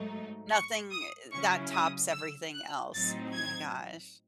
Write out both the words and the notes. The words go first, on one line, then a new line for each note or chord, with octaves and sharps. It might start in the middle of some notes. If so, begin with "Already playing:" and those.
Nothing er, that tops everything else. Oh, my gosh.
Already playing: G#2 F#3 A3 D#4
C#6
D#6
C#3 F#3 C#4 E4 C#6
D#6
E6
F#6
A2 F#3 C4 D#4 A6
G#6